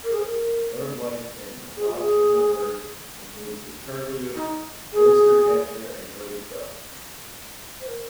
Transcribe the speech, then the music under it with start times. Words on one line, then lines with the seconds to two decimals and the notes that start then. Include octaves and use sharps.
Birdlife in Lochinver includes the curlew, oystercatcher and hooded crow.
0.04 A#4
0.12 G#4
0.19 C5
0.23 A#4
1.76 G#4
1.87 F4
1.98 G#4
4.35 D#4
4.93 G#4
7.80 C5
7.87 A#4